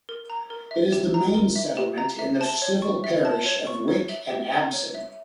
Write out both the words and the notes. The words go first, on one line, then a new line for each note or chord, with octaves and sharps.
It is the main settlement in the civil parish of Wick and Abson.
A#4
A#5
A#4
E5
G4
A#5
A#4
E5
G4
A#5
E5
A5
C#5
C#6
E5
A5
C#5
C#6
C#5
E5
G4
A#5
C#5
E5